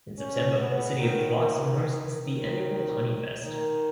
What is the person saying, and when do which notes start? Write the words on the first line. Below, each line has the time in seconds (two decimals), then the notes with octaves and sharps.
In September the city of Clarkson hosts the annual Honeyfest.
0.18 C#4
0.59 B3
0.99 D#3
1.40 D#3
2.21 D#3
3.43 D#3